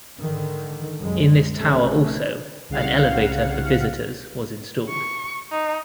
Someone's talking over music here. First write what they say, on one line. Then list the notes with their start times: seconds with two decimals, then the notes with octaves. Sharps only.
In this tower also an elevator for visitors was installed.
0.21 G#2 D3 D#3
1.00 C2 F#2 F#3 G#3
1.59 A#1 C3 A3 C#4
2.69 C2 C#3 F5 F#5
4.89 C#6
5.52 D#4